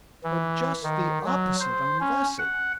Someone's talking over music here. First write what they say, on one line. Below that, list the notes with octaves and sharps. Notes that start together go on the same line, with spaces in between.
But just the opposite on Vesey.
E3
D#3
F#3
C5
C#4
F#5